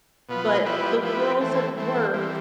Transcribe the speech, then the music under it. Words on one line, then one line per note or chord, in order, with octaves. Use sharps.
But the girls at work
B2 B3 F4 B4
F3 B3 E4 G4 B4
F3 B3 E4 G4 B4
E3 A3 C4
E3 A3 C4
E3 G3 C4